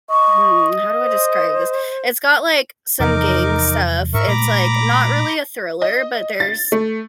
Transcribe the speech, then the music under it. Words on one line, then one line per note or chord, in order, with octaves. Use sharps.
hmm, how do I describe this? It's got, like, some gang stuff, it's, like, not really a thriller, but there's
D#5 C#6
C5
E2 C3 F3 D#4 A#4 D6
G#2 A#4 E5 C#6
A#2 G#3 A3 A#5 B5 D6
D#5
A6
A3